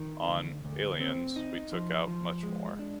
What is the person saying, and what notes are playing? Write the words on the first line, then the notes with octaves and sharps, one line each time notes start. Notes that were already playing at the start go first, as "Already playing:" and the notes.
On "Aliens", we took out much more.
Already playing: D#3
D2
D2
C4
D#4
F3
F3
G#3
D4